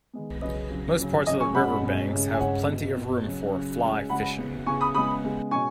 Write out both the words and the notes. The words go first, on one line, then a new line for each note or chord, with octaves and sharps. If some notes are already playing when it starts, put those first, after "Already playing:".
Most parts of the river banks have plenty of room for Fly Fishing.
D#3 G#3 B3
C#3 F#3 C#4 B4 D#5
C#3 F#3 C#4
C#3 F#3 C#4
C#3 F#3 C#4 D#5 G#5
G#5 C#6
B2 G#3 C#4 F#5 B5
B2 G#3 C#4
C#3 G#3 C#4
G#5
C#3 G#3 C#4 C#5 F#5
B2 B3
B2 B3
C#3 F#3 C#4
C#3 F#3 C#4
C#3 G#3 C#4
C#3 G#3 C#4 F#5 B5
C#3 B3
C#3 B3 G#5 C#6
B5 D#6
C#3 G#3 B3 B5 D#6
C#3 G#3 B3
B2 G#3 C#4 G#5 C#6